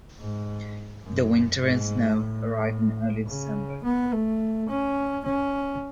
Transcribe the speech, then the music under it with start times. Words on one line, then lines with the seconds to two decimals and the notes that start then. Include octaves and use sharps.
The winter and snow arrive in early December.
0.19 G#2
1.04 F#2
1.60 G#2
2.15 A2
3.28 C#3
3.84 B3
4.12 A3
4.69 C#4
5.25 C#4